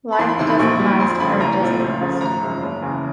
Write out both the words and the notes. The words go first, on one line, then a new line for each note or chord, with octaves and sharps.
Life doesn't last; art doesn't last.
B5
E2 C6
B5
C3 D#3 C6
B5
A#1 C#6
A#2 G3
F2 C6
C#3 F3 A3 C#4 B5
C2 A#5
A#2 F3 A3 C4
C#2
C#3 F3 A3
G#1 A#5
F#2 C#3 F3 G#3
F#1
E2 C#3 E3